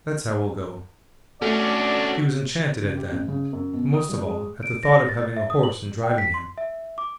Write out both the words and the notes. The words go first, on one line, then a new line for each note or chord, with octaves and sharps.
That's how we'll go.' He was enchanted at that, most of all at the thought of having a horse and driving him.
A3 C#4 D4 F#4 D5
C#3
G4
A1
C#3
F#2
B2
D#6
G3
G#3
D7
A#6
A6
E5
D#6
F#7
G5
B6
C6
E5
D6